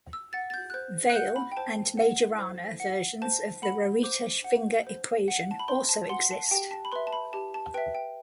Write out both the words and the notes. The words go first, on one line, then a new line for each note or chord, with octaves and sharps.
"Weyl" and "Majorana" versions of the Rarita-Schwinger equation also exist.
E6
F#5 A6
A6
G6
F#6
C5 G6
F#6
F#5 G6
B5
G5
C5 A5
F#5
C5
F#5
C5 A5
F#5 B5
C5 D6
F#5
C5
F#5
A5
B5
C5 C6
A5
F#5 C6
A5
G4 G5
A5
B5
B4 E5 C6
A5
B5
G4 A5
A5
B4 E5 G5
G5